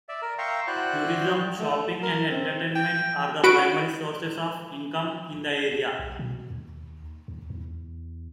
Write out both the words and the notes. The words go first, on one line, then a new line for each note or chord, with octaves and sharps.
Tourism, shopping, and entertainment are the primary sources of income in the area.
D5 E5
A#4
E5 F5 G5 A#5 C6 C#6
E4 F#4 C5 D5 G5 F#6
A3
A#4
C4
G5
F#4 B4 D7
B1
B2
D#2
D#2
E2